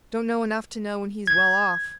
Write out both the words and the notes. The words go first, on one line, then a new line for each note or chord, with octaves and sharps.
Don't know enough to know when he's well off.
G#6